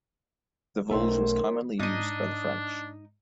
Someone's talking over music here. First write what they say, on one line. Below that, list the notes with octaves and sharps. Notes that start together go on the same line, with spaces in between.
The voulge was commonly used by the French.
B1 D#3 A3 C5 C#5
G#2 D4 D#4 D#5